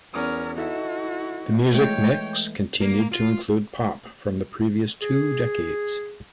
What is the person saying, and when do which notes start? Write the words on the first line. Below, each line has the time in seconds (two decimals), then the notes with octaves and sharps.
The music mix continued to include pop from the previous two decades.
0.14 E2 C#4 A#4 D6 D#6
0.57 D#4 E4 F#4 A4 E5
1.72 E3 G#3 A3 C#5 G5
2.81 A#3
3.12 F4
5.02 G#4